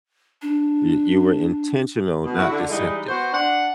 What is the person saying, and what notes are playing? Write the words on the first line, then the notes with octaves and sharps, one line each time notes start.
Y you were intentional, not deceptive.
D4
B2
E4 F#4
D3
E3 G3 G#3 D#4
B3 F#4 C5
D4 F#5